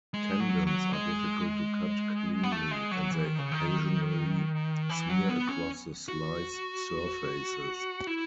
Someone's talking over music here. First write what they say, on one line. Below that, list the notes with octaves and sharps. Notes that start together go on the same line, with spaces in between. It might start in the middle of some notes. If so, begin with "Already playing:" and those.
Tendons are difficult to cut cleanly, and they occasionally smear across the slice surfaces.
G#3
F#3
F#3
G#3
B3
A3
G#3
F#3
E3
D#3
C#3
D#3
E3
F#3
B3
C#4
F#4
E4